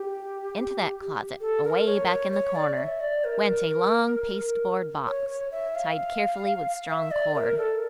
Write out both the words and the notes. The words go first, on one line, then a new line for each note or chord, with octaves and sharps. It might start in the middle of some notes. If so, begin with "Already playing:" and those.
Into that closet, away back in the corner, went a long pasteboard box, tied carefully with strong cord.
Already playing: G4
A4
A#4
C#5
C#5
C#5
D5
E5
D5
A#4
C#5
C#5
E5
F5
E5
D5
A#4
A4